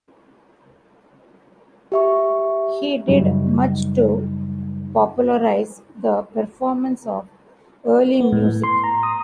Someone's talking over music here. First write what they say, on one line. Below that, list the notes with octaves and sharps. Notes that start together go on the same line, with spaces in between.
He did much to popularize the performance of early music.
G4 E5 C#6
F#2 C#3 F#3 G3 D#4
B3
A2
C6
A#5
D#6